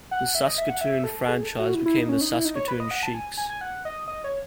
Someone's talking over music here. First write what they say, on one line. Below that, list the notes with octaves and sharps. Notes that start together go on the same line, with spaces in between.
The Saskatoon franchise became the Saskatoon Sheiks.
F#5
E5
D#5
E5
F#5
E5
A4
G#4
A4
F#4
E4
E4
D#4
C#4
D#4
E4
D#4
C#5
B4
D#5
F#5
A5
G#5
G#5
G#5
F#5
D#5
D#5
C#5